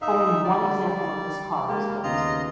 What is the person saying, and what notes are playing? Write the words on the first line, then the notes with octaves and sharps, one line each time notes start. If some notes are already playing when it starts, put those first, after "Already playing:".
Only one example of this car was built.
D#4 E5 F5
D3 G3 D5
G#3 A#3 G4
D#2 C#3 B3 F4 D#5 A#5